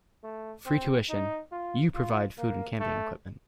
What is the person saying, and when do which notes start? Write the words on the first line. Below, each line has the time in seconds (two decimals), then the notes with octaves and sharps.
Free tuition --- you provide food and camping equipment.
0.24 A3
0.66 C4
1.09 D#4
1.52 F4
1.94 F4
2.38 A#3
2.80 A3